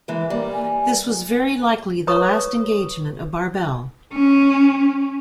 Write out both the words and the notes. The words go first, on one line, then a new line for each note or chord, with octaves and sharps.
This was very likely the last engagement of "Barbel".
E3 G#3 A#3
G3 A#3
G#5
B4 C#5 A#5 C#6 D#6
C#4